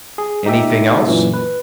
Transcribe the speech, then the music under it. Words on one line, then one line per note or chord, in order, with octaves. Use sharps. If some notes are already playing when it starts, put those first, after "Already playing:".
"Anything else?"
G#4
D#4 G4 E5
F#2 A#2 E3
B4